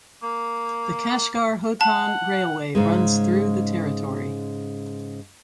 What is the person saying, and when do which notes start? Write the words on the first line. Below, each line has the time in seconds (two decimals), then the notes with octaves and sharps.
The Kashgar–Hotan railway runs through the territory.
0.23 A#3
1.81 F#5 A5
2.75 G#2 C#3 G#3